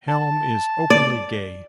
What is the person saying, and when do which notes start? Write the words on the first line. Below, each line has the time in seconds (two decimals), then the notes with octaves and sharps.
Helm is openly gay.
0.08 A5
0.90 D5